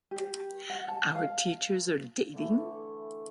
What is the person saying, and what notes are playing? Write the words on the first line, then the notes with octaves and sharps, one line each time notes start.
Our Teachers Are Dating!
G4
F#5
A5
F5
D3 E3 A3